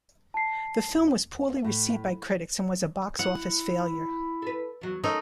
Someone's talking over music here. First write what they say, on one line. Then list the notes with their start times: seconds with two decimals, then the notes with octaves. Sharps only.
The film was poorly received by critics and was a box office failure.
0.34 A5 C7
1.64 A2
3.19 E4 F#5
4.42 A4 B4
4.81 E2 F#3
5.03 A3 C#4 D#4 A#4 D#5